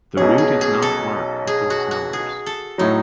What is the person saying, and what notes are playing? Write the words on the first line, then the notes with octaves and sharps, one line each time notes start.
The route is not marked with those numbers.
B1 B2 F#3 C#4 G#4
G#4
G#4
A4
G#4
F#4
F#4
G#4
A4
A2 F#3 D#4